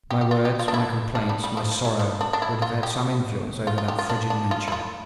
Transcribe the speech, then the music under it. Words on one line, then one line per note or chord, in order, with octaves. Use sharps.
My words, my complaints, my sorrow would have had some influence over that frigid nature.
G4
G4
F4
G4
F4
D4
E4
D4
G3
G3
F3
F3
E3
F3
D4
D4
E4
F4
G4
F4
F4
G4
F4
D4
D4
F4
E4
F4